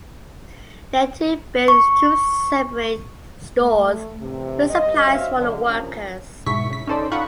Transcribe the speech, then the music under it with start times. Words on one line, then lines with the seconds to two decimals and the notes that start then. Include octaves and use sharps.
They, too, built two separate stores with supplies for the workers.
1.68 C#6
3.60 A3
4.22 A1 G2 C3
4.69 G2 D#5
5.05 F#4 C5 C#5 E5 F5
5.36 F#2 D3
5.66 C2 F3 C4 C#4 A#4
6.46 G#2 B2 E4 C#6 B6
6.70 C#3 B6
6.87 C#4 D#4 A4 C5 D5
7.12 D#4 F4 F#5 B5 C#6